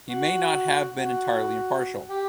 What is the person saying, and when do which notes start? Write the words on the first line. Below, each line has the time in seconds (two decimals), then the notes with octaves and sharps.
He may have not been entirely impartial.
0.09 F#4
0.89 F#4
2.09 G4